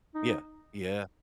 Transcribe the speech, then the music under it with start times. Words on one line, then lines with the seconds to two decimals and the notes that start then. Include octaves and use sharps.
Yeah, yeah.
0.15 D#4